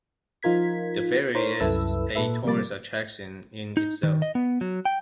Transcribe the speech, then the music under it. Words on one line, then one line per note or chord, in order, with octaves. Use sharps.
The ferry is a tourist attraction in itself.
F3 D#4 F4 A#4 G#6 B6
D#4 A#4 C5 C#5
C2 F#2 E4 A4 B4 E6
A#2 A4 B4 E5
C3 F3 G3 A#3 D6 A6
D#4
D#3
D#5
B3
F#3
G5